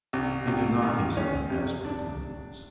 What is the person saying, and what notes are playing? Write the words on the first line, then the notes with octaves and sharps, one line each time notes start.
He did not, he said, ask for confidence.
C2
C2
D#3
C#4
C3
D4